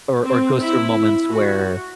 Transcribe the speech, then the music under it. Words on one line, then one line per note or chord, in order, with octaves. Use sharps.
or or goes through moments where,
C4
E4
F#4